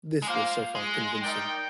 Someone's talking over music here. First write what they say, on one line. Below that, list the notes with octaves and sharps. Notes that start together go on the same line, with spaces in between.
This was so far convincing.
G#3
A#3 F4 C5 F5
G#3
D#4 A#4 D5 G5